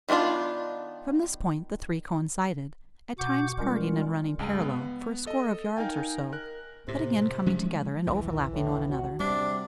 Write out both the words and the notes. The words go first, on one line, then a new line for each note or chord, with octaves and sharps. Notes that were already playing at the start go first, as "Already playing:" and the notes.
From this point the three coincided--at times parting and running parallel, for a score of yards or so, but again coming together and overlapping one another.
D#3 B3 C#4 D4 F4
B2 F#4 F#5 D6 G6
G3 G#3 C#4 F4 A#4
C#2 G2 G#3
B3
A4 D#5
D#4 A#4 F5 G5 G#5
A#4 F#6
A2 C3
F3 G#3 C#4
A#1 D#2 E3
A2
F#4
C3 G3 D4